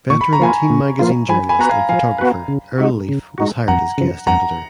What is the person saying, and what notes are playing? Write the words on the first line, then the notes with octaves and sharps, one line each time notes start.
Veteran teen magazine journalist and photographer Earl Leaf was hired as guest editor.
A#2 C#6
B5
A#5
F3 A#3 F4 G#5 B5
A#2
F3 A#3 F4
F3 G#5 B5
G#5 B5
B3 F#4 B4 A#5
F5 G#5
F3 F5 G#5
B3 F#4 B4
C#3
G#3 D#4 F#4
C#3
G#3 D#4 F#4
F2 F#5 A#5
C#3 F3
F2 F#5 A#5